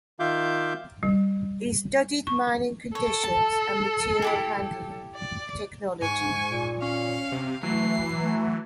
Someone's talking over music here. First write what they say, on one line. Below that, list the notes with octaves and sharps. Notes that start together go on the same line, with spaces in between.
He studied mining conditions and material handling technology.
D#3 F4 E5 F5 D6 G6
G3
C#6
A4 C#5
A5
E4 G4 G#4
D5
G#2 G#5 C#6
A#2
C#4 F5
C3
E3 F#3 A3 C7
A3